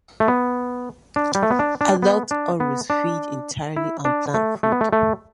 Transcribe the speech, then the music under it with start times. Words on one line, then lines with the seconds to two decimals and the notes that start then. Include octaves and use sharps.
Adult Arraus feed entirely on plant food.
0.20 A3
0.28 B3
1.16 D4
1.35 G3
1.43 A3
1.51 B3
1.59 D4
1.81 D4
2.02 B3
2.31 D4
2.60 B3
2.90 D4
3.77 E4
4.05 D4
4.34 A3
4.63 A3
4.72 B3
4.81 A3
4.93 A3